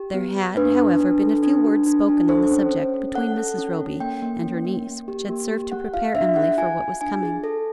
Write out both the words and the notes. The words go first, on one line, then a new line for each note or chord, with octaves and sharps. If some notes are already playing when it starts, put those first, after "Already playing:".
There had, however, been a few words spoken on the subject between Mrs. Roby and her niece which had served to prepare Emily for what was coming.
Already playing: G4
B3
B3
D4 B4
D4
D4
A4
D4
F#4
D4
D4
A4 C5
C#4
C#4
C#4
A4 F#5
A4
C#4
C#4
A#3 G5
A#3
C#4
A#3
A#3
G4
A#3
G4
G#4 F#5
F4 F5
D4 E5
G#4 F#5
F4 G#5
F4
D4 G#5
G#4
A4